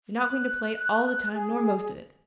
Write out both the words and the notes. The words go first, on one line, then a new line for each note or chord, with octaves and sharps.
You're not going to play all the time nor most of it.
F#6
G#4